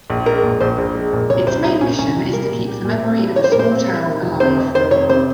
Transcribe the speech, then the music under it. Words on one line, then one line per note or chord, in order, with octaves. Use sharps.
Its main mission is to keep the memory of a small town alive.
A#1
G#3 A#4
A#2
A#1 C5
A#1
G#3
A#2
C2 C#5
C2 C5
G3 D#4
A#2 C#4
C2 C#4
C2
G3 A#4
A#2
G4
A#2
C4
G3
G4 C#5
C5
A#2 A#4
C5
C4
G3
D#3
F1
C3 C5
F2
D#3 C5
F1 C#5
C3 C5